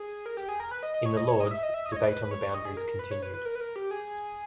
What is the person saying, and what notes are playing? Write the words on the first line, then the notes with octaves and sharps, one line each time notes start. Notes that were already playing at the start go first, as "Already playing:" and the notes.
In the Lords, debate on the boundaries continued.
Already playing: G#4
A#4
G4
G#4
A#4
B4
D#5
D#5
C#5
D#5
C#5
D#5
E5
D#5
E5
D#5
C#5
D#5
B4
B4
C#5
D#5
G#4
A#4
A#4
B4
C#5
B4
B4
A#4
B4
A#4
G4
G#4